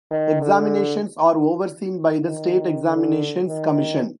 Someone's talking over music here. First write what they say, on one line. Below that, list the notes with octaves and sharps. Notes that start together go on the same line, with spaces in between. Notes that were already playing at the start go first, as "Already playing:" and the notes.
Examinations are overseen by the State Examinations Commission.
D#3
D3
D#3
D3
D#3